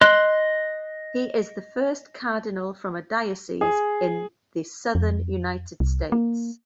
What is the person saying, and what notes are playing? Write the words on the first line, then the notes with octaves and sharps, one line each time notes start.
He is the first cardinal from a diocese in the Southern United States.
D#5 C6 F#6
G#4
F2
C2
A#3